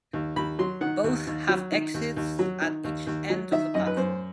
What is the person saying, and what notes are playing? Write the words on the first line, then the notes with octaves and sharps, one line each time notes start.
Both have exits at each end of the platform.
D#2
D#2 B5
F#3 C6
D#3 F#5
D#2
D#2
F#3
D#3
D#2
D#2
F#3
D#3
D#2
D#2
F#3
D#3 E5
F#2 D#5
B4
F#2 C5